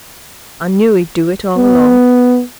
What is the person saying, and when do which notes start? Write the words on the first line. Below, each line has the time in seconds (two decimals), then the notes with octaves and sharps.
I knew he'd do it all long.
1.57 B3